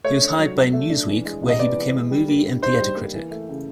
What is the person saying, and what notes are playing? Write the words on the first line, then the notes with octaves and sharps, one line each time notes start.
He was hired by "Newsweek", where he became a movie and theater critic.
A3 C#5
D4
F#3
F#3
A3
D4
E3
G#3
C3
D#5
B3 D5
E3
G#3
G3
A#3
D3
D#4 C5
G3
A#3
E3
A3
C#3